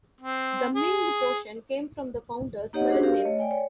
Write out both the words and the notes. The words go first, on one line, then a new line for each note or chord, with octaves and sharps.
The Ming portion came from the founder's "middle name".
C4
G#4
A#3 D#4 G4 C#5 D#5 F#5
D4 F#4 G#4 C5
G4 A#4 F5
A3 C#5 D#5
D5 G5 G#5
C#5